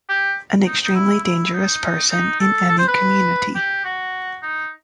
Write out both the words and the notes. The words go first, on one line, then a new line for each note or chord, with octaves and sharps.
An extremely dangerous person in any community.
G4
D#4
D#4
E4
E4
D#4
D#4
A4
A4
C5
B4
G4
F#4
D#4